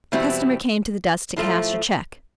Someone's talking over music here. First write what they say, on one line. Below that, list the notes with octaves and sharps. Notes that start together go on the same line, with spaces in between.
A customer came to the desk to cash a cheque.
E2 B2 G3 C4 E4
A2 F3 A3